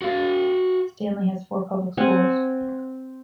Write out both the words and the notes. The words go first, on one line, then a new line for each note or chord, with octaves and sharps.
Stanley has four public schools.
F#4 F5
C4 F#5 G#5